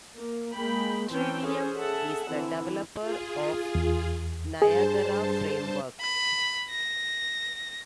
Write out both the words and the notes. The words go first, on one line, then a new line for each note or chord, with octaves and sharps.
Tridium is the developer of Niagara Framework.
A#3
G#3 A#3 G5 B5
E3 C4 C#4 G5 A5 C6
C#4 G#4 A4 C5
G#4 A4 E5 F#5 A5
D3 E3 C4 E4
F4 G#4
E2
G2 G#4 C5 A5
B5
A#6